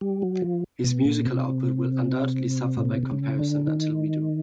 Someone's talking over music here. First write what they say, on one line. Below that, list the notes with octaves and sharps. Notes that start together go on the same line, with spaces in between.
His musical output will undoubtedly suffer by comparison until we do.
G3
F#3
F3
B2
A#2
C3
A2
A#2
B2
C3
C#3
D3
D#3